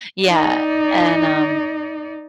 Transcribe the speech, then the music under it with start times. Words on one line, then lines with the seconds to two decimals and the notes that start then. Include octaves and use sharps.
yeah, and, um
0.23 D#4 D5